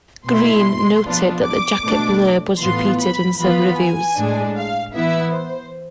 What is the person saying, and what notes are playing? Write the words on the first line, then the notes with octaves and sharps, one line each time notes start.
Green noted that the jacket blurb was repeated in some reviews.
B2 A3 E4 C6
F3 B3 D4 F4
D6
B2 A3 D4
A2 E3 B3 F4 C6
B5
E3 B3 F4 B5
G#5
A2 G#3 D4
F5
E3 B3 E4 E5
C5